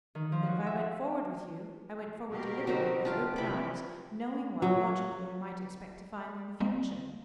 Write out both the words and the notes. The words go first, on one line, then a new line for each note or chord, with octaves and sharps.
That if I went forward with you, I went forward deliberately with open eyes, knowing what, logically, I might expect to find in the future.
D#3
F3
F#4
E5
B2 G4 A#4
F#3 C4 D#4
D4 F4 G4
C3 E3 E4 G5 B5
F#3
G3 G#3 A#3 C4